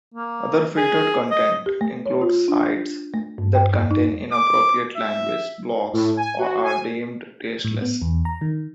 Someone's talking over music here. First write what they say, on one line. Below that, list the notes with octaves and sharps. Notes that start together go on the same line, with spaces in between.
Other filtered content includes sites that contain "inappropriate language", "blogs", or are deemed "tasteless".
A#3
G#4
D#5
G4
A3
C#5
F4
D4
G6
A3
G2
G5
F2
D#4
D6
E5
A2
G#5
F#4
G#5
A2
B3
E2
A#5
D#3